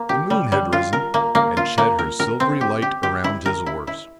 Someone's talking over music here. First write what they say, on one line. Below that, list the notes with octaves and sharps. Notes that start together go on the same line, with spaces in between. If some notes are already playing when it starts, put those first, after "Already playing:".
The moon had risen, and shed her silvery light around his oars.
Already playing: A#3
G4
G3
G3
F4
A#4
A#3
A#3
F4
A#3
A#4
A#4
C4
G4
G4
G4
E4
A#4
E4
E4